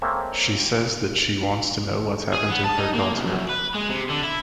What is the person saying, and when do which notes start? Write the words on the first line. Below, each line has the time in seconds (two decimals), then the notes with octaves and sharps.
She says that she wants to know what happened to her daughter.
0.02 G#3 A#3 C4 A4 C#5 E5
2.34 G#4
2.48 B3
2.64 A5
2.77 D#4
2.94 A#3
3.12 C2
3.26 F#2
3.49 B4
3.75 G#3
3.90 C3
4.10 D3
4.23 E4